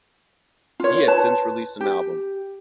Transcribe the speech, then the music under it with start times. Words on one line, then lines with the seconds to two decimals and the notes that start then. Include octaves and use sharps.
He has since released an album.
0.80 F4 C#5
1.07 F4 B4 C#5 A5
1.80 G4